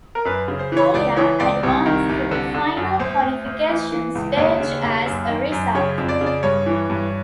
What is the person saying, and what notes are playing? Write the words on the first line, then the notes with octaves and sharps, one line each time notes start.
Korea advanced to the final qualification stage as a result.
A#4
F#2 B4
C#3
C5
E3 C#5
C#2 D5
E3 C#5
C#2 D5
C2
D#3
C2
D3
D3
F#2
D2 C5
D2
D2
E3
E3
C#2
C5
D#2 C#5
C#3
D#2
F#2
D#3
F#2
C#3 C#5
F2
D5
C#3
D5
G2 C#5
E3
G2